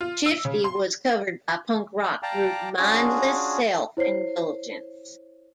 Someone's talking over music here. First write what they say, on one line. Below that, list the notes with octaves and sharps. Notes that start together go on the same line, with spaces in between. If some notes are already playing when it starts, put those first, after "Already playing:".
Shiftee was covered by punk-rock group Mindless Self Indulgence.
F4
E6
C#3
C6
D5 F5 G5 A5 A#5 D6
C#4 D4 F4 F#4 G#4
E4 C5 C#5 C7